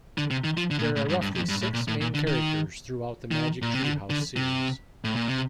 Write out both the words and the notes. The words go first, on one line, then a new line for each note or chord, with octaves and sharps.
There are roughly six main characters throughout the Magic Tree House series.
D3
C3
D#3
F3
D3
A2
A#2
A2
G2
G2
F2
G2
A2
A#2
A2
A#2
D3
D#3
D#3
A#2
C3
D3
D3
C3
A2
A#2
C3